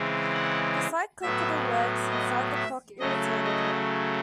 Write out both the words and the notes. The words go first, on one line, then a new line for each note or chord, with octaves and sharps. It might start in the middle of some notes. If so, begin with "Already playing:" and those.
The slight click of the works inside the clock irritated her.
Already playing: C#3 E3 G#3 C4
F#5
A2 F#3 B3 E5
D#5
E5
C#3 F#3 A3 D#5
D#5